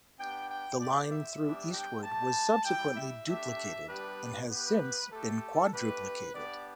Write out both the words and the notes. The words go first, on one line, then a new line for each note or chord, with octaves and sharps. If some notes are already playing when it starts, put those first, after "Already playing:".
The line through Eastwood was subsequently duplicated and has since been quadruplicated.
B3 D4 G4 G5
G5
B3 G4 D5
E5
G3 B3 D4 G4
G5
A3 G4 A5
G3 E4 G4 G5
E5
A3 D4 G4 E5
G3 B3 D4 G4 B4
B3 G4 B4
A3 G4 A4
A3 D4 G4 B4
B3 D4 G4 D5